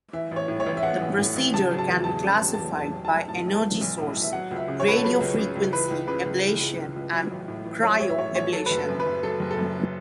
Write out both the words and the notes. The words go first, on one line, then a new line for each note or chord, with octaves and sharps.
The procedure can be classified by energy source: radiofrequency ablation and cryoablation.
E3 E5
A1 C#5
A2
C#5
A1
E5
E3 F#5
A1
A2
A1
C#3 A5
F#3
A5
E2
E1 A5
C#3 A5
F#3
E2 A5
E1 A5
F#3
A5
B1
A2 A5
B1
A5
F#3
B1
A2
B1
E5
F#3 F#5
C#2
E5
C#3
C#5
C#2 B4
A4
F#3 B4
C#2
C#3
C#2
E3 B4
C#2
C#3 B4
C#2
E3
C#2
C#3
C#2
F#3
A1
A2
A1
F#3 C#5
E5
A1 C#5
E5
A2 C#5
E5
A1 C#5
F#3 A4
F#1 B4
A4
F#2
B4
F#1
F#3 A4
F#1
A4
F#2